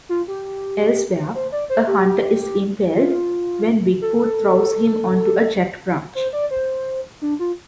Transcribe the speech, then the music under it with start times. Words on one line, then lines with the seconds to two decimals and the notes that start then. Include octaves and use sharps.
Elsewhere, a hunter is impaled when Bigfoot throws him onto a jagged branch.
0.09 F4
0.28 G4
1.35 C5
1.52 D5
1.70 C5
1.87 G4
2.95 F4
4.02 A4
6.15 C5
6.33 D5
6.51 C5
7.22 D4
7.39 F4